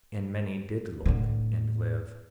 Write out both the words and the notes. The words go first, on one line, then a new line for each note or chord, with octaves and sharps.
And many did look and live.
A2 D3